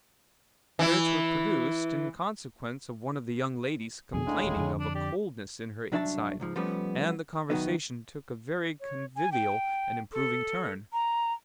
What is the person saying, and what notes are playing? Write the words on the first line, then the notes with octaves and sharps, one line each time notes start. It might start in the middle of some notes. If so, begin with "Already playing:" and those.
Spirits were produced, in consequence of one of the young ladies complaining of a coldness in her inside; and the conversation took a very convivial and improving turn.
E3 E4
F2 B2 D3 G#4
D2 A2 C#3 G#3 D4
D#1
F2 D3
D4
G4 D5
C2 F#2 D4 C#5 E5 A5
C#2 G#2 F3
F3 G3 A3 B3 C#4
F#2 B2 D#3 F#3 B3 D#4
C#5
G#5
G5
A4
A#5